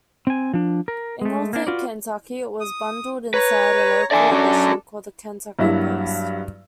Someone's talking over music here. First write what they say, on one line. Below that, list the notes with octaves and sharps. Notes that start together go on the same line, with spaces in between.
In Northern Kentucky, it was bundled inside a local edition called The Kentucky Post.
C4 G#5
F3 D4
A#4
G#3 A3
A#3 C4 D4
F4 F#4 B4 D5
D#6
B4 C#5 A#5
D4 A4 D5 E5 G#5
C#4 F#4
G2 F#3 A#3 E4 F#4